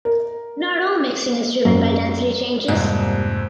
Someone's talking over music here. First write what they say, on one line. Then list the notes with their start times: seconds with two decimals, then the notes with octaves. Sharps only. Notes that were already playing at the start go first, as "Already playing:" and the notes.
Not all mixing is driven by density changes.
0.05 A#4
1.65 F#2
2.68 F1 F2 G#2 G3 A#3